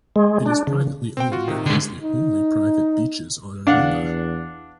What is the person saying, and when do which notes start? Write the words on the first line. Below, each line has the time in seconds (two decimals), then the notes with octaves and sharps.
It is privately owned and has the only private beaches on Aruba.
0.16 G#3
0.46 D4
0.67 C#3
1.17 C4 G5
1.32 F4 F#4
1.48 C3 D#3
1.66 D3 G#3
2.02 D#4
3.67 E2 D4 F5 F#5